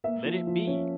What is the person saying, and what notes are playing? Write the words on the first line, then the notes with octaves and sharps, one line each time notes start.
Let it be!
A#3 E5
F3
F3
C#4